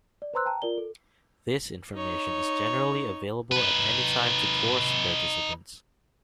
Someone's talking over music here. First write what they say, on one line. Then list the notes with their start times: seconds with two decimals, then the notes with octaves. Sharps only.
This information is generally available at any time to course participants.
0.22 D5
0.34 B4 C5 A#5 C6 E6 F#6
0.46 G5 A5 A#5
0.62 F4 A#4 D5 G7
0.78 A4
1.94 D#4 C#5
3.52 D#4 B4